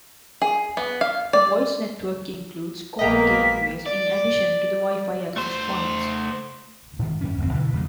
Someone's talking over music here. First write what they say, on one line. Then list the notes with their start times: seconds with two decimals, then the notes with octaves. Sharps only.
A voice network includes call gateways in addition to the Wi-Fi access points.
0.42 G#4
0.77 B3
1.01 F5
1.33 D5
2.99 A#1 G#3 A#3 B3 D#5 G5 A#5 B6
3.86 D5
5.36 A3 C5
6.99 G#2 D#3
7.21 F#2 C#4
7.38 D1 G1 F2 C4
7.53 B1 D3 E3
7.73 F2 C#3 G#3